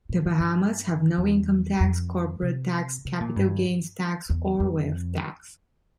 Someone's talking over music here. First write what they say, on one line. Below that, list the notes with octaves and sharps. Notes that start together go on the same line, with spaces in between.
The Bahamas have no income tax, corporate tax, capital gains tax, or wealth tax.
A#2
A2
G2
E2
F2
C3
C3
A#2
G2
E2
F2